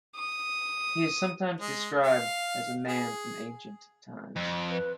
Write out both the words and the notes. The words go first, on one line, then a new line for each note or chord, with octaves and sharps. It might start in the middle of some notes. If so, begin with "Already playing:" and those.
He is sometimes described as a man from ancient times.
D#6
G#3
F5
G#4
F2
B4